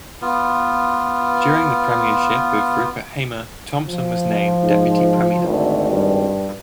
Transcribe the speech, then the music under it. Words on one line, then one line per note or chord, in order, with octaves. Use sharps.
During the premiership of Rupert Hamer, Thompson was named Deputy Premier.
B3 F4
F3
G#2
G#1 D2
G2